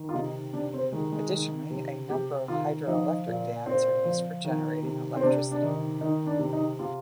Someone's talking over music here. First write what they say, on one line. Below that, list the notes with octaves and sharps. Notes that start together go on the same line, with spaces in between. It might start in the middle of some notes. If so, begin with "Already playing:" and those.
Additionally, a number of hydroelectric dams are used for generating electricity.
Already playing: D#3
F4
C3 D#4
C3 D4
C4
D#3 G#3
G#3
D#3
C3
C3 G4
D#3 F4
F3 D#4
A#2
A#2 C4
F3
D#3
C3
C4
C3 D4
D4
D#3 D#4
D#3 D#4
D4
C3
D#4
C3 F4